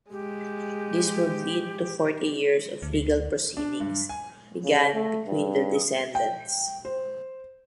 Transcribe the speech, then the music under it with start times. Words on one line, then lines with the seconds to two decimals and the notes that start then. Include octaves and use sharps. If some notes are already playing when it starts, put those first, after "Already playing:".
This would lead to forty years of legal proceedings began between the descendants.
0.11 G#3 G4
2.82 D2
3.57 D4
3.80 G2
4.09 G#5
4.64 C#3
4.93 A3
5.27 G2
6.15 G5
6.85 C5